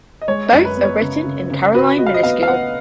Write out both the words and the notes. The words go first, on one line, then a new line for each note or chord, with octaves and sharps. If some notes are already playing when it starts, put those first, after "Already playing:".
Both are written in Caroline minuscule.
D#5
G#3 C#5
D#5
F#2
B4
B3
C#5
C#3
C#3
C#3
F#4 B4
F#4 D#5
F5
D#5
B3 F5
F5
B3 F#5